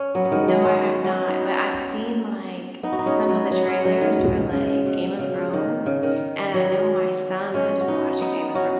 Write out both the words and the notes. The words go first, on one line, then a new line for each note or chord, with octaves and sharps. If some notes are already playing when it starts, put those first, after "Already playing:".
No, I have not. But, I've seen, like, some of the trailers for, like, "Game of Thrones," and I know my son has watched "Game of
Already playing: C#4
F#3 B3
B3
D#3 G#3
F#3 B3
G#3 C#4
C#4 F#4
B3 D#4
B3 D#4
F#4
D#4
G#3 C#4
F#3 B3
F#3 B3
G#3 C#4
F#3 B3
D#3 G#3
B2
C#3
B2
C#3
D#3
C#3
D#3
F#3 B3
G#3 C#4
F#4
B3 D#4
B3 D#4
C#4 F#4